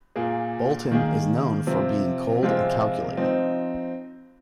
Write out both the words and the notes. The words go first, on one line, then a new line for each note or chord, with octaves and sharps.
Bolton is known for being cold and calculating.
A#2 A#3 G#4
D#3 A#3 G#4
C3 F3 C4
C3 F3 G#3 C4 F4
F3 C4 D#4